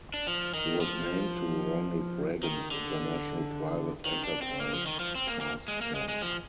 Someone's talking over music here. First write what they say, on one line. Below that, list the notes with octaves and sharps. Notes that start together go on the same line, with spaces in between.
He was named to Ronald Reagan’s International Private Enterprise Task Force.
D4
F3
D#3
F3
D#3
D3
D#3
D4
C4
A#3
F3
D#3
F3
C4
A#3
A#3
G#3
A#3
G#3
G#3
F3